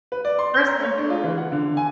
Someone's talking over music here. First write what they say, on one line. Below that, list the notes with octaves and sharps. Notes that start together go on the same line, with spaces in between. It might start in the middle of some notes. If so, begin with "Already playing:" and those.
person who
B4
D5
C6
G7
A#5
C#5
D4
F4
E3
F#5
D3
G#5